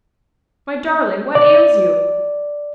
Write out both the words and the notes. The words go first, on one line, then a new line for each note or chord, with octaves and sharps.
"My darling, what ails you?"
D5